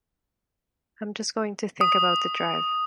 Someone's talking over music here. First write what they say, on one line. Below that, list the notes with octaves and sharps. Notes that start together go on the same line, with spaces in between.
I’m just going to think about the drive.
D#6